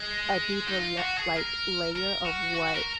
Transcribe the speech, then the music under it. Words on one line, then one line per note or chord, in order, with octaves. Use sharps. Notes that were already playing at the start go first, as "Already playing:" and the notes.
a deeper le like, layer of what
Already playing: G#3
D#4
F4
F#4
G#4
A#4
A#4
F#4
F#4
A#4